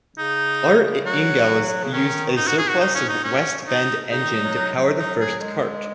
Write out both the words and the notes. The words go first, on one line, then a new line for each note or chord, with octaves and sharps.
Art Ingels used a surplus West Bend engine to power the first kart.
C#3 D#4
F#3 F#4
C#3
D#3 C#4
G#2 D#4
F#4
G#4
F#4
D#4
C#4
D#4
C#4
D#4
C#3 D#4
D#3
F#3
F#3
F#3
F#3
D#4
G#4
G#3